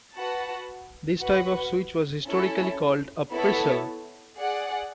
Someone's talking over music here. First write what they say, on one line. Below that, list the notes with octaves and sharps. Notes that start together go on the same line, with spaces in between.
This type of switch was historically called a "pressel".
F#4 B4 F#5 A5
F#4 B4 F#5
C#4 E4 A4
B3 E4 A4 C#5
G#4 D5 F#5